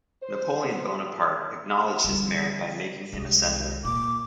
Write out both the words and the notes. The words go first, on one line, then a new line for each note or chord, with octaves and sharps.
Napoleon Bonaparte acknowledged his merit by making him a senator.
C5
B3
D3 G3
C2 G#3
A#2 D6